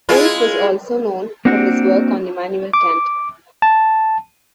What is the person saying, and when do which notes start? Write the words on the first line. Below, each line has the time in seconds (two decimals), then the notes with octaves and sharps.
Wolff is also well known for his work on Immanuel Kant.
0.09 G#3 E4 F4
1.45 A#3 C4 D4 F#4
2.74 D6
3.62 A5